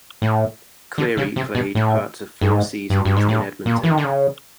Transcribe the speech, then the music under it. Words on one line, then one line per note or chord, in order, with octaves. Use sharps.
Cleary played parts of four seasons in Edmonton.
A2
D3
C#3
C3
B2
A2
G2
G#2
G2
G2
G#2
A2
A#2
E3
D#3
D3
C#3